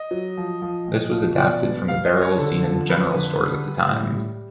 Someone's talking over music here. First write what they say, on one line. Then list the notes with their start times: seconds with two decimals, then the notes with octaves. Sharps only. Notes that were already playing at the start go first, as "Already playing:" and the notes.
This was adapted from the barrels seen in general stores at the time.
Already playing: D#5
0.11 F#3
0.37 F3
0.62 F3
0.88 A#2
1.13 F3
1.37 B2 D5
1.63 B2
1.88 G3 F5
2.06 D#5
2.14 G3
2.22 C#5
2.38 D3 A4
2.63 F3
2.89 F2 B4
3.14 D3
3.40 G3
3.65 G3
3.89 A2
4.15 G3